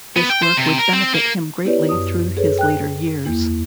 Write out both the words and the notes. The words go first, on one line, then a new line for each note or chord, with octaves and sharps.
This work would benefit him greatly through his later years.
B3
G5
C5
C3
A#4
C4
A#3
B3 E4 G4 B4 C#5 D5
F#2 D#6
G#4 A4 B4 C#5
G5 F#6
E2 A#3 E4